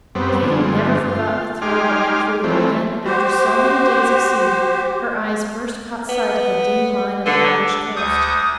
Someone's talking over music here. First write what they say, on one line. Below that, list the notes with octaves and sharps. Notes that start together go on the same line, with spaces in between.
Katy never forgot the thrill that went through her when, after so many days of sea, her eyes first caught sight of the dim line of the Irish coast.
F#2 G3 B3 C4
G2 D3 F3 G#3
F4
D#4 G4 G#5 C6 D6 F6
E3 F3 A3 C4
F#4 G4 C5
B3
D3 B3
D2 C#6 D#6 G6